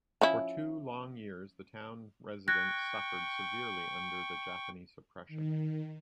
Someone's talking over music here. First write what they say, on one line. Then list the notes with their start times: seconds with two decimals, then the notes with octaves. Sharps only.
For two long years, the town residents suffered severely under the Japanese oppression.
0.21 F3 C#4 E4
2.48 G5 C#6 F#6 G#6 A#6
5.28 D#3